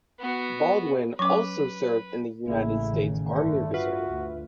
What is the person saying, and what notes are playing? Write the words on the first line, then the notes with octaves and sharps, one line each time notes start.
Baldwin also served in the United States Army Reserve.
B3 F#4
F#3 C#4 B4 C#6 D6
A1 C#3 A#3 E4 G#4
D#3
G2 D3 A3
F4 F#4 B4 E5
D2